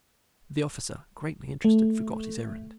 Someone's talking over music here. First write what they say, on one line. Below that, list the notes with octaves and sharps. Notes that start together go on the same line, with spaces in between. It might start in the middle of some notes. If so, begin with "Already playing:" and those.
The officer, greatly interested, forgot his errand.
A3